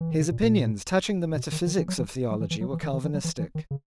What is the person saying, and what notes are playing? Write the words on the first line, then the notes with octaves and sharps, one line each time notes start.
His opinions touching the metaphysics of theology were Calvinistic.
E3
D#3
C#3
A#2
A#2
B2
D#3
D#3
E3
F#3
E3
F#3
E3
E3
F#3
E3
D#3
D#3
E3
F#3
E3
E3
D#3
C#3